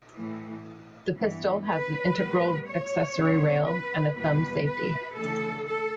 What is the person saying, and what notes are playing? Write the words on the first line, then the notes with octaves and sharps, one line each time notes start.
The pistol has an integral accessory rail, and a thumb safety.
A2 E3 A3
G2 E3 B3
B4
A2 G3 B3
C#5
E2 C#3 G3 B3
B4
E2 B2 G3 B3 B4
B4
D2 C#3 E3 A3 A4
A4